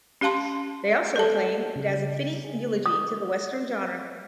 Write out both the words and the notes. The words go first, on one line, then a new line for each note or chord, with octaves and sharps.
They also acclaimed it as a fitting eulogy to the western genre.
C#4 G4 F5 A5 C6
A4 A5
C#3
G#4
D#6